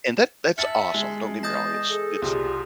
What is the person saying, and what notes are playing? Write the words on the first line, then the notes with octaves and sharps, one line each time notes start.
And that that's awesome. Don't get me wrong. It's it's,
E5 A5 F6 A6 C#7 F#7
G#3
E2 D#5 A5 D#6 G6 A#6
G#4 A4
C2 C3 F4